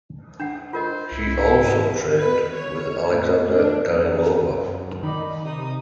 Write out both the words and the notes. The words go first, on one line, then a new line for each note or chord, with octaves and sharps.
She also trained with Alexandra Danilova.
D4 F#5
F4 A#4 C5 D#5
C2 E4
G#2
B4
C#5
A2
D4
F2
F#2
D#3 D#4 D5 B5
C3 D#4 D#6